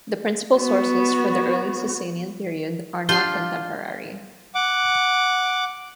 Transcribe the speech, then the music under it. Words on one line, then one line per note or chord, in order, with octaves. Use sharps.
The principal sources for the early Sasanian period are not contemporary.
B3 F#4
D4 F4 G4 D5 G6 C7
F#5 D6